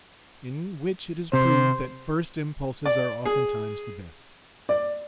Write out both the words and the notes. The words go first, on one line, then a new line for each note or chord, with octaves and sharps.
In which it is proved that first Impulses are oftentimes the best.
C3 C5
D5
G#4
D5